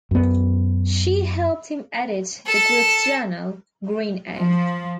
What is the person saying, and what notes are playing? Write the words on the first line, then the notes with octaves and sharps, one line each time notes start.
She helped him edit the group's journal, "Green Egg".
F#2 B3
A4 A5
F3